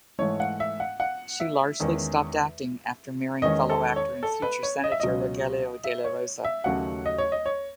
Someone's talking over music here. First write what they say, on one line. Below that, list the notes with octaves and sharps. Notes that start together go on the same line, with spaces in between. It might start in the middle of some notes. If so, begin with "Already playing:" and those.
She largely stopped acting after marrying fellow actor and future Senator Rogelio dela Rosa.
G#2 E3 A3 C#5
F#5
E5
F#5
F#5
E5
E2 D#3 G#3 C#4
E2 D#3 G#3 C#4 D#5
A4
C#5
A4
B4
C#5
D#5
E5
C#2 B2 F#3 C#4 D#5
E5
C#5
E5
D#2 C#3 F#3 A3 C#4 F#5
D#5
C#5
D#5
C#5